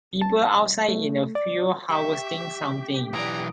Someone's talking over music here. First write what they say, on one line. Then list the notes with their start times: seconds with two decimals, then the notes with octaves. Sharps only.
People outside in a field harvesting something.
0.22 A5
0.89 A3
1.35 D5
1.90 G4 E5 G5 C#6
3.13 B1 E3 D5 A#5 D#6 D7